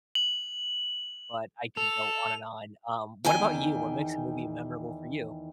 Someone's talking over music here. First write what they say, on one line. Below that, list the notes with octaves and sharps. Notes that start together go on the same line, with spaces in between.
but I could go on and on. Um, what about you? What makes a movie memorable for you?
F#7
A4 F7
E2 D#3 G5 G#5